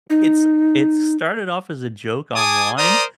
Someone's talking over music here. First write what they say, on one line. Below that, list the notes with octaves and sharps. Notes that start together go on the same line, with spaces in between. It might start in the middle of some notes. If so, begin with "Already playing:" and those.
It s it started off as a joke online,
D#4
G#4 G#5 A5 D6 D#6
A#4 C5 D5 A#5 D#6